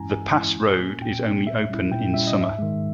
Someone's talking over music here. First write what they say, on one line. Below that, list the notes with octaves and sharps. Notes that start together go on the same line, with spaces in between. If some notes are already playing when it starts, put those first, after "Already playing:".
The pass road is only open in summer.
Already playing: G2 E3 G#3 C#4 E4 G#5 A#5
G2 G#5
E3 G#3 C#4 E4
A#2
A#3 C#4
A#2 G5
A#3 C#4
A#2 E5
G3 C#4 E4
A#2 G5
G3 C#4 E4 E5
D#5
G#2
E5
D#3 G#3